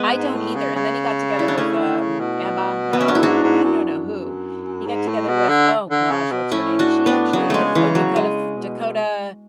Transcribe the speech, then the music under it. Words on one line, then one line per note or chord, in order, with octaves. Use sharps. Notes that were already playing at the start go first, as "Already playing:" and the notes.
I don't either, and then he got together with, um, Emma. No, no, no, no. Who? He got together with, oh gosh, what's her name? She actually is oh, Dakota F Dakota,
Already playing: G#3 B3
G#2
A2
C#3
C#3
E4
D4
C#3 A3 C#4
D3
C#3
B2
B3
C#4
F#2 D4
E4
G#2 D4 F#4
G#2
F#2
F#2
F#2
G#2
A2
B2
D3
D3
C#3
B2
A2 C#4 E4
D4 F#4
B3 D4
C#3 F#3
G#3 A3
C#3 E3
F#3
C#3 G#3
B2